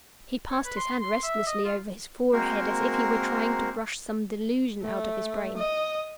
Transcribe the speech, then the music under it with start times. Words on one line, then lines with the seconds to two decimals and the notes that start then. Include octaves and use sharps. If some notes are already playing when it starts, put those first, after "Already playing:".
He passed his hand restlessly over his forehead, as if he were trying to brush some delusion out of his brain.
0.50 C#5
0.65 B4
0.77 C6
1.01 C6
1.23 E5
1.47 D#5
1.65 F4
2.33 G#3 A#3 C4 F#4 A#4 C5
4.83 A3
5.57 D#5